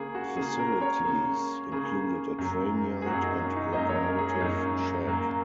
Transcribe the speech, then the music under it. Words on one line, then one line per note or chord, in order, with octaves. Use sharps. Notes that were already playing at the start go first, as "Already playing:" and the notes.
Facilities included a train yard and locomotive shed.
Already playing: C#3 A#3 G#4
F#4
C#3 A#3 G#4
A#4
A#4
C#5
C#3 A#3
C#3 A#3 G#4
F#2 F#3 A#3
G#4
F#2 F#3 A#3 F#4
D#4
C#4
D#4
F#2 F#3 A#3 D#5
C#5
A#4
G#4
C#4
F#2 F#3 A#3 D#4
F#2 F#3 A#3